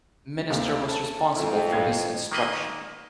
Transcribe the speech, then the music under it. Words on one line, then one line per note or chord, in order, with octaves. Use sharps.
Minister was responsible for his instruction.
D2 C3 A#3
A4
F2 E4
G#6
D#3 A#3 B4 D#5